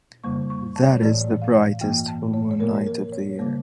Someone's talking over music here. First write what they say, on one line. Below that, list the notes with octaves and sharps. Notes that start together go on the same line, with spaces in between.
That is the brightest full moon night of the year.
F2 C#3 G3 A#3 C#6
C#6
A5
C#5
A2 E3 A3 D5
F5
G2 E3 A#3 G5
A5
C#5
C#5
A#2 F3 A#3 A#4
A#4
C#5
C#3 G3 A#3